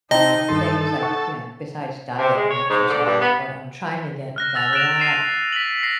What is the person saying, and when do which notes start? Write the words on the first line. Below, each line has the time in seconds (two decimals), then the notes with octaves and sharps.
things, like, you know, besides diet and exercise, what I'm trying to get better at
0.11 C3 D#4 D#5 G5 A5 A#5
0.49 G2 D#3 A4 C6
1.02 F#5 C#6
2.19 C3
2.36 G#3
2.51 C#5
2.70 G#2
2.90 D3
3.06 G2
3.20 B3
4.36 F6 F#6 A#6
4.55 E6 A6 F7
4.73 F#6 A#6 D7 E7 F7
5.00 C7 D#7 E7
5.52 B6 F#7
5.83 A#6 C7